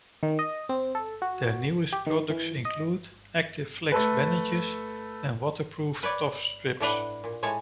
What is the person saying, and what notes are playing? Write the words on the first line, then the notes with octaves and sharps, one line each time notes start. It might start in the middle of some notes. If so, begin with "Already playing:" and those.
Their newest products include Active Flex bandages and waterproof Tough Strips.
D#3
D#5
C4
A4
F#4
G4
D#3
E3
D#5
A3 A4 B4
B4 C#5 D5 G5
A2 D4 B4 F#5
A#2
A2 G#3 C#5 A5